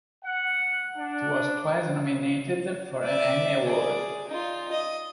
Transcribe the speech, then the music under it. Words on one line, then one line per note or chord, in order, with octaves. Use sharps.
It was twice nominated for an Emmy Award.
F#5
D4
D5 E5
G#4 D5
D#4 F4
D#5